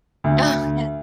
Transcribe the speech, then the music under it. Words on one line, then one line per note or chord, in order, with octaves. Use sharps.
Oh, yeah.
D2